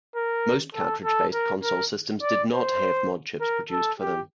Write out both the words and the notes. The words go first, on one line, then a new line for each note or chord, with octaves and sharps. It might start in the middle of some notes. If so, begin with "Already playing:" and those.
Most cartridge-based console systems did not have modchips produced for them.
A#4
A4
A4
A#4
A#4
D5
C5
A#4
A4
G4